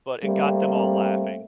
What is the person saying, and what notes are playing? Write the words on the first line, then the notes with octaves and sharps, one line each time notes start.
but it got them all laughing.
G3 A3 A#3 C4